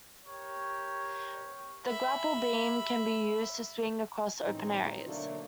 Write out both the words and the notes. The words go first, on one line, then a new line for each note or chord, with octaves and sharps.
The Grapple Beam can be used to swing across open areas.
G4 A#4 C#5
E5 B5
A2 E3 G#3 C4 C#4 D#4
B2 D3 F#3 A3 A#3 D4